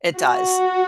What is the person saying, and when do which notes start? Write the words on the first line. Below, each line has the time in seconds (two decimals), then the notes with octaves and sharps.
it does.
0.18 F#4